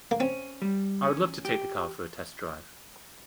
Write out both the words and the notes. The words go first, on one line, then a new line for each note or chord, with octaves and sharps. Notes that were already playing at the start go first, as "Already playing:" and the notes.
I would love to take the car for a test drive.
A#3
C4 C#4
G3
C#4
G4